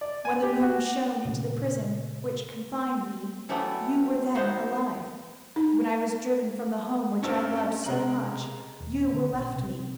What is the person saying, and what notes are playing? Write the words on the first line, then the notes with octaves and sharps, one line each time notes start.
When the moon shone into the prison which confined me you were then alive; when I was driven from the home which I loved so much you were left me.
D5
G#5
G4
F#4
A#2 C#3
E3 F#3 G3 A3 B3
F#3 B3 D#4 C5
D#4
G2 C4 C#4 E6 F6
C3 G#3 A#4 F#7
D#1
D3
A#1
C3